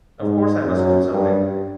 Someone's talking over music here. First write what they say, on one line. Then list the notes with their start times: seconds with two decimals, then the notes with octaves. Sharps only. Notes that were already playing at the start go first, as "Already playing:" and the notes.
Of course I must do something.
0.21 G#2
0.66 F#2
1.11 G2